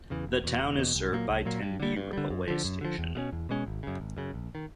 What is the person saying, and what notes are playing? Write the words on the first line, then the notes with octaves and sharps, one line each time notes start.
The town is served by Tenby railway station.
E2 C#3 E3
E1
E2 B2
E1
E2 B2
C2
A#2 F#3 A#3
C2
A#2 F#3 A#3
G2
D3 G3
G2
D3 G3
F#2
D3 F3
F#2
D3 F3
E2
B2 G#3 C#4
E2
B2 G#3 C#4
G#1
F#2 C#3
G#1
F#2 C#3
A#1
D#3